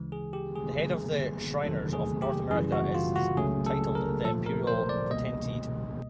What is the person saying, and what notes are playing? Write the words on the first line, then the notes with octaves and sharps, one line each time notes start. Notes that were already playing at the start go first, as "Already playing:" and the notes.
The head of the Shriners of North America is titled the Imperial Potentate.
Already playing: D2 C#3 E3 G#3
G#4
G4
G#4
G2 D3 G3 A#3
E2 C3 D#3 F#3 A3 A4
G#4
G4
F#2 C#3 E3 G3 G#4
F#4
F4
F#4
C#2 C#3 F#3 A3 G#4
A4
A#4
A#2 F3 A3 A4
A#4
C5
D5
C#2 B2 G3 A#3 D#5